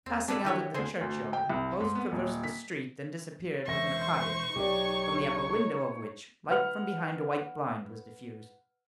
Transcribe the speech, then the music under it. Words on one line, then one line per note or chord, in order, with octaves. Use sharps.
Passing out of the churchyard, both traversed the street and disappeared within a cottage, from the upper window of which light from behind a white blind was diffused.
E2 C4
G2 C4 D4 E4 B4
D#3 E4 F#4 G4 B4 C#5
D2 D3 C4 G#4 C5
D2
G5
C2
G#2
B3
D#1
B6
E1 C5 E5 C#6 A#6
B1 F#3 D#4 G4 C#5 D5
B4 F#5 F6